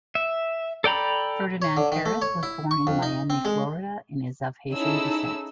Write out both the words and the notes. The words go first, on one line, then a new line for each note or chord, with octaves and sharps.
Ferdinand-Harris was born in Miami, Florida and is of Haitian descent.
E5
A4 D5 G5 A#5 B5
C#5
D3
D#3
A3
C#5
E4
C#6
F2
D#4
C4
G#3
C#4 D#4 E4 G#4 A4 E6